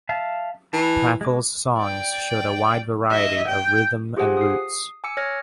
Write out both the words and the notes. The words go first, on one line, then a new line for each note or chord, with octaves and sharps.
Praful's songs show a wide variety of rhythm and roots.
E5 F5 A5
E3 A5
G#3 D6
D5 G5
D#5 E5
G5
F4 G4 G#4 C5 F#5 G#5
D#6 C7
G#5 D6 E6 C#7
C#5 G#5 F6 G#6 A#6